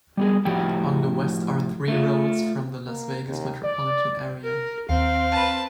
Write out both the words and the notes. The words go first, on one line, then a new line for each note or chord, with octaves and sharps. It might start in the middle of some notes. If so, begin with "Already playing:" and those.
On the west are three roads from the Las Vegas metropolitan area.
G3 B3 G#4
A2 F3 E4 F#4 G4 G5
A3 F4
A#3
D#2
D5
A#4
D#2 C4 F5
B4 A5